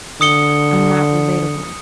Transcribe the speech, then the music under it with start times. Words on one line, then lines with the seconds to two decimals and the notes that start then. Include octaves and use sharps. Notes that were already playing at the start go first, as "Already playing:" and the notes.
I'm not relatable.
0.21 D3 D#6 C#7 G7